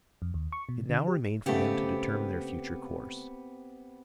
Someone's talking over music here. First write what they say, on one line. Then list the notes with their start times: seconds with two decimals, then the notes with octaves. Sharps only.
It now remained for them to determine their future course.
0.22 F2
0.34 D#2
0.52 C#6
0.69 B2
0.89 D3
1.07 G4
1.46 C#3 A3 B3 C4 G4